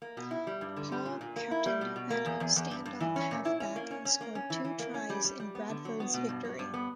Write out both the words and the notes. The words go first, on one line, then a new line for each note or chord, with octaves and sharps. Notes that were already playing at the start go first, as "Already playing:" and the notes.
Paul captained at stand-off half back and scored two tries in Bradford's victory.
A#3
B2
E4
G3
G2
D3
G3
A#2
A#2
A#3
E4
G3
B2
B2
A#3
E2
E2
E2
G2
G2
E3
C#4
A#2
E4
C#4
A#3
C#4
C#4
A#3
C#4
E3
E3
A#3
C#4
G3
G3
G3
B3
D3
F#3
B3
B2
G2
F#3
G2
B3